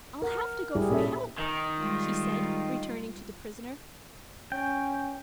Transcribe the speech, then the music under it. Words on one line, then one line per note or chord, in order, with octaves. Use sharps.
"I'll have to go for help," she said, returning to the prisoner.
A#4 F#5
G3 E4 G4 G#4
A#2 C#4 A4 E5
D#3
G3 G#3 F4
C#4 G5